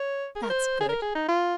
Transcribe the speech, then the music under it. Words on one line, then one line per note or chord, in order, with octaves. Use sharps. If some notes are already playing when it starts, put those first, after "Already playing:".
That's good.
Already playing: C#5
G#4
A#4
C5
G#4
A#4
G#4
D#4
F4